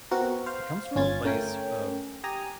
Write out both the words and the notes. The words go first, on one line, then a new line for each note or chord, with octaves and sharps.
it comes from a place of
B3 C4 F#4 A#4
C5 F5
G1 C#4 F4 G#6 A6
A3 C#4 A#4 G5 G#5
G4 G#5 A#5 D#6